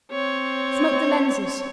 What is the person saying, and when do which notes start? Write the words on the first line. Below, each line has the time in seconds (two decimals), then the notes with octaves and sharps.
Smoke the lenses.
0.11 C4 C#5